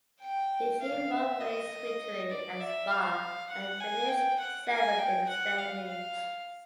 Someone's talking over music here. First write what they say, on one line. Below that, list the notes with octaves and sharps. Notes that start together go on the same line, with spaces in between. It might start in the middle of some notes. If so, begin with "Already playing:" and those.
He achieved one race victory at Spa and finished seventh in the standings.
G5
F5
E5
D#5
D5
E5
F5
F#5
G#5
G5
F#5
G#5
G5
F#5
F5
F5